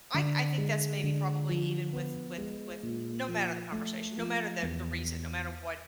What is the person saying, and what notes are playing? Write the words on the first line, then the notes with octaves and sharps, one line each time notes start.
I I think that's maybe probably even with with with n n no matter the conversation, no matter the the reason, no matter what
D3
G#3
D3
F3
B3
G#3
A#2
F3
A3
F3
E2